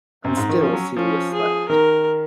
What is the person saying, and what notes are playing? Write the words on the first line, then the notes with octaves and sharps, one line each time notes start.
And still Celia slept.
F#2 C4
G#2
D#3
F3 C#4
F#3
F3 C#4
G#4
D#3 A#4